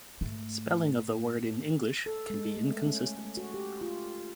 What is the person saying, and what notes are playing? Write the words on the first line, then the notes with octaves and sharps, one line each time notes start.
Spelling of the word in English can be inconsistent.
G#2 A3
A4
G#3
A3
C#4
F#4
G4
F4